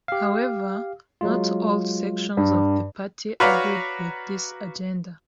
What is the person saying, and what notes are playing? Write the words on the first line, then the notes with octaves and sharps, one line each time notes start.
However, not all sections of the party agreed with this agenda.
G4 F5
F#3 G#3 F4
G2
F#4 B4 C#5 D5 F5 A#5